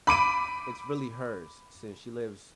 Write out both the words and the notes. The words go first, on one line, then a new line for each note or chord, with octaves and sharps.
it's really hers since she lives
B5 D6 D7 D#7